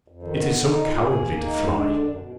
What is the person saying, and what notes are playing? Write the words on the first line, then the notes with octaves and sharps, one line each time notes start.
"It is so cowardly to fly!"
F2
D#3
B3
D3
D#4
A#2
G#4
A#3
A#3
D#4
G#3
D4
D3
F#2
B2